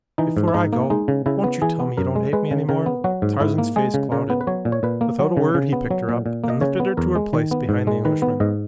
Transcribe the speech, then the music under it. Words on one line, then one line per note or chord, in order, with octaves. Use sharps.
"Before I go won't you tell me you don't hate me any more?" Tarzan's face clouded. Without a word he picked her up and lifted her to her place behind the Englishman.
E3 D#4
G#2
E4
G#2 D#4
A#3
G#3 D#4
C#3
C#3 E4
B3
E3 G#4
B3
F#2 A#4
G#3
G#3 B4
C#3
C#3 A#4
B3
F#3 F#4
G#2
G#2 E4
A#3
G#3 G#4
C#3
C#3 A#4
B3
B4
F#3 C#5
A#2
C#5
A#2 B4
A#3
F#3
C#3
C#3
B3
F#3
A#2
A#2
A#3
D#5
C#3 C#5
B3
E2 A#4
G#3
D#3
B3
G#2
G#3
D#3 B4
B3
G#2 D#5